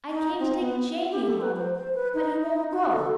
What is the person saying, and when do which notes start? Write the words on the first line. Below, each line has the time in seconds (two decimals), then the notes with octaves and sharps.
"I came to take Jamie home, but he won't go."
0.10 D#4
0.39 C4
0.59 B3
0.98 E4
1.12 G4
1.27 A4
1.41 B4
1.56 C5
1.76 C5
1.95 B4
2.14 D#4
2.43 D#4
2.72 F#4
2.92 A4